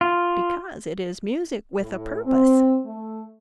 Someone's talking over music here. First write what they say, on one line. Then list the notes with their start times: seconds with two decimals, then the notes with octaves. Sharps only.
"Because it is music with a purpose."
0.01 F4
1.79 A2
2.25 C4
2.85 A3